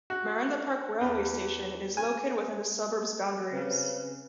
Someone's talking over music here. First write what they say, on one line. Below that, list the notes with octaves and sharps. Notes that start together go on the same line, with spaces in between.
Merinda Park railway station is located within the suburb's boundaries.
F#4
E2
G#5
C#3 C4 B4